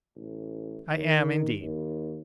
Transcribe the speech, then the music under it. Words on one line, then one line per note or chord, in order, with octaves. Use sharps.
I am, indeed.
A1
D#3
D#2